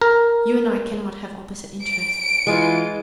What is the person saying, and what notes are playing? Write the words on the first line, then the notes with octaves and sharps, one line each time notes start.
You and I cannot have opposite interests.
A#4
D7
E3 G#3 F4